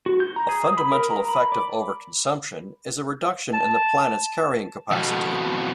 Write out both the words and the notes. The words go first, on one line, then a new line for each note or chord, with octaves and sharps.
A fundamental effect of overconsumption is a reduction in the planet's carrying capacity.
F#4
G6
A#5
G#4
D#6
B5
A#4
A#5
B5
D5
A5
F2 B2